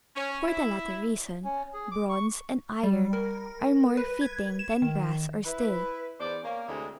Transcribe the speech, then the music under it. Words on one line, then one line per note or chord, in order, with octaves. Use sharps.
For the latter reason, bronze and iron are more fitting than brass or steel.
C#4
E4
C#4
G#4
D6
C#6
G3
A#4
B4
G#6
E7
D#3
E4 B4
E2 B3 C5 D5
A#3 C#4
D2 C3 G#3 E4 D5 D#5